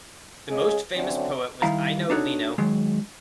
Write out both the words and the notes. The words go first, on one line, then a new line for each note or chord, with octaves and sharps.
The most famous poet was Eino Leino.
C#3 G#3 C#4 G#4
D3 F#3 A3 C4 C#4
D#3 G3 E4 F5 A#5
D4 D#4 F#4 A4 C#5
D#3 F#3 G#3